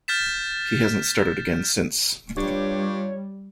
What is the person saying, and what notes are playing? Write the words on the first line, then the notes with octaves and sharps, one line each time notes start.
He hasn't started again since.
F6 G6 A6 B6 E7
G2 G3 D4 F4 G4 C#5